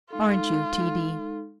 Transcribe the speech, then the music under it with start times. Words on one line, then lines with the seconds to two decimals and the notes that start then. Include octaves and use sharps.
Aren't you, T. D.?
0.10 G#3 D#4 F4 A4